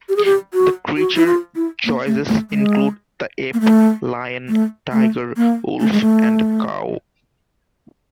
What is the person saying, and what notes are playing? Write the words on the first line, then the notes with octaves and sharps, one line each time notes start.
The creature choices include the ape, lion, tiger, wolf, and cow.
G4
G#4
G4
F#4
F#4
E4
F4
E4
A#3
A3
A3
G#3
A#3
A3
A3
A3
A#3
A3
G#3
A3